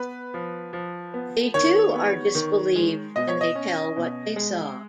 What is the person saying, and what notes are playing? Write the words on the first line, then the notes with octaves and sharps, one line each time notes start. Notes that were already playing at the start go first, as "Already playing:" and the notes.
They, too, are disbelieved when they tell what they saw.
Already playing: B3 B4
F3
F3
B3
D#3 C#5
B3
D#3
G#3
B2 D#5
C#5
D#5
C#4
B2
G#3